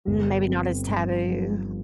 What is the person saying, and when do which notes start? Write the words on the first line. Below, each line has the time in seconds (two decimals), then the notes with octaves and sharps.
Mm, maybe not as taboo.
0.07 G1
0.47 C4
0.88 G2
1.27 F3